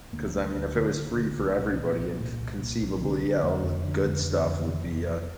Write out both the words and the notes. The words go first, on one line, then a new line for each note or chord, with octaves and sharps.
'Cause, I mean, if it was free for everybody and conceivably, eh, all the good stuff would be, uh,
D2 A#3
D2 A3
D2
D3
D2
D3
C2
A#2
A#2
C2
A#2 A#3
C2
A#2
C2
D3 C4
D3
F2 A3
F2
D3
F2
D3
F2
C3
F2
F2